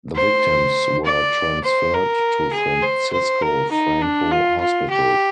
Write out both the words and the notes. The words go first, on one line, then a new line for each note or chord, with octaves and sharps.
The victims were transferred to Francisco Franco Hospital.
C5
D5
C5
A#4
G#4
C5
C5
A#4
D#4
D4
F4
F4
G4